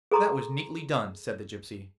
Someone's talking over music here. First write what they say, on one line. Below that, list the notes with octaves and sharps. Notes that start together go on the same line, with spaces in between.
'That was neatly done,' said the gypsy.
G#4 A4 A#5 C6 D6